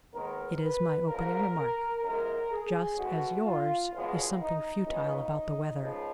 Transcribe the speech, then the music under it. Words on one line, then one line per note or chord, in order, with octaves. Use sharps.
It is my opening remark, just as yours is something futile about the weather.
D#2 D#3 G#3 B3 A#4
B4
G#1 G#2 F3 A#4
A#4
F#2 F3 G#3 A#4
G#4
B1 B2 G#3 F#4
F4
G#1 F#2 F3 G#3 B3 F4
D#4
C#2 C#3 G#3 B3 D#4
C#2 C#3 F3